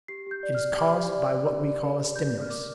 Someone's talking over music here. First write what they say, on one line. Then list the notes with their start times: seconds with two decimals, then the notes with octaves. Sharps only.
It is caused by what we call a STIMULUS.
0.08 G4 C7
0.26 G4 G6
0.43 D5
0.55 F6
0.61 D5
0.78 G4 D6
0.94 G4
1.13 D5
1.30 D5
1.46 G4
1.65 D5
1.81 A#4
1.98 G4
2.15 G4 G6
2.33 D5
2.41 F6
2.50 A#4 D6